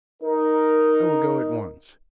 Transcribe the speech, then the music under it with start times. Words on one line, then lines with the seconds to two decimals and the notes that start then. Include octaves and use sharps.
I will go at once.
0.22 D#4 A#4